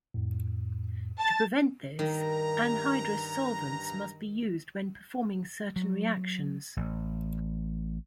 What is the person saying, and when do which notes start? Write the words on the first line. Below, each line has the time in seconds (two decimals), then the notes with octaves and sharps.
To prevent this, anhydrous solvents must be used when performing certain reactions.
0.14 F2 A2
1.18 A5 A6
1.99 G2 D#3 A#5
5.76 F#3
6.77 A1